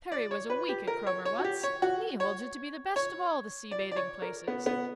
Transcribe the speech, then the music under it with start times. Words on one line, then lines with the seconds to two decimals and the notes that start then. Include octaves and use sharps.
Perry was a week at Cromer once, and he holds it to be the best of all the sea-bathing places.
0.12 D5
0.31 C#5
0.50 B4
0.69 G4
0.87 A#4
1.07 C#5
1.25 C#5
1.39 F#4
1.44 G4
1.63 C#5
1.82 F#4
2.20 C#5
2.96 C#5
3.71 D5
3.91 D5
3.96 C#5
4.22 A#4
4.47 B3
4.66 B3